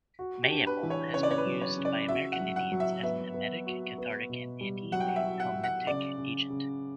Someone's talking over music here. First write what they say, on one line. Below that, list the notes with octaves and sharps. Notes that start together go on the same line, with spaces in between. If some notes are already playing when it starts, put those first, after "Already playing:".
Mayapple has been used by American Indians as an emetic, cathartic, and antihelmintic agent.
F#4
G4
D4
B4
E3
C#5
C#3 C#5
D5
C#5
B4
F#3
C#5
C#3
D5
F#4 E5
F#5
F#3
F#5
F#3
E5
B3 E5
B3
F#4
B3
B2
G3
F#3 F#5
G5
F#5
E5
F#4
F#5
F#3
F#5
C#3 D5
C#3
C#3